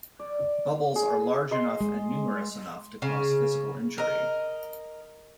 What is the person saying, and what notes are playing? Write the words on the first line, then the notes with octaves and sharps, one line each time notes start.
Bubbles are large enough and numerous enough to cause physical injury.
D5
G#4
D#5 C6
G#3
C#3
A#4 D#5